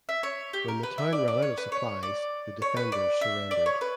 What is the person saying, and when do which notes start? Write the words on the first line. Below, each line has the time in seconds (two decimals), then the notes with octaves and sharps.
When the town ran out of supplies the defenders surrendered.
0.09 E5
0.23 C#5
0.53 G4
0.68 A#4
0.83 B4
0.98 E5
1.13 D5
1.28 D5
1.42 C#5
1.58 B4
1.72 C#5
2.03 D5
2.62 C#5
2.77 B4
2.92 D5
3.21 E5
3.51 D5
3.66 C#5
3.81 B4